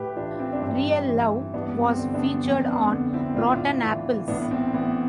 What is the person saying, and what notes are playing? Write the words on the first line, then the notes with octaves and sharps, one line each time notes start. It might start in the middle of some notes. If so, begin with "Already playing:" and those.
"Real Love" was featured on "Rotten Apples".
Already playing: A2 G4 B4
E3 D4 F4
C4
D4
G2 C4
E3
G2 B3 D4
C4
D3
B3 D4
F2 C4
B3 D4
D3
C4 E4
A2 D4 F4
E3
A2 B3 D4
C4
E3 B3